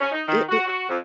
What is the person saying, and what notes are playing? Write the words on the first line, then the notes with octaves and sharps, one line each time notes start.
It it
C#4
D#4
D#3
F#4
F#4
F2